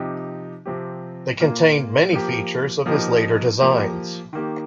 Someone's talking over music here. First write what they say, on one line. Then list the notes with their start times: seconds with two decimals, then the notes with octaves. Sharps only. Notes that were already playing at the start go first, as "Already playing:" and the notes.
They contained many features of his later designs.
Already playing: C3 F3 D#4 G4
0.66 C3 F3 C4 G4
1.39 A#2 A#3 F4
2.13 F3 A#3 G4
2.86 F3 A#3 D#4 G4
3.60 F3 A#3 G4
4.33 D#3 A#3 G4